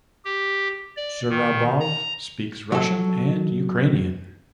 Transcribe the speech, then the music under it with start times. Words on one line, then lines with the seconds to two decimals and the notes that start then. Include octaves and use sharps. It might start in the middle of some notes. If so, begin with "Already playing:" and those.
Zurabov speaks Russian and Ukrainian.
0.25 G4
0.96 D5
1.30 D#3
1.80 A#5
2.72 F#3 A4